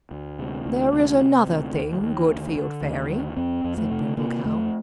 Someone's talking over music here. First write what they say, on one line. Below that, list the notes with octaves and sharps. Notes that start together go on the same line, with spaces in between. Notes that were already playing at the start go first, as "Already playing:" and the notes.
"There is another thing, good Field Fairy," said Brindle Cow.
D2
C3
D2
C3
C3
D2
D#2
D#2
D3
D3
D#2
D3
F2 C4
F2
A3
C3
C3 A#3
F2 A3